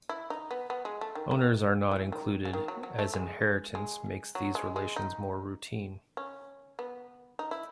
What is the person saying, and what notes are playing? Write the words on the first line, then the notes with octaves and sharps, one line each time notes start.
Owners are not included, as inheritance makes these relations more routine.
E4
D#4
B3
B3
G#3
A3
D#3
D#3
E3
D#3
C#3
D#3
F#3
F#3
A3
G#3
G#3
F#3
G#3
G#3
D#4
C#4
B3
D#4
E4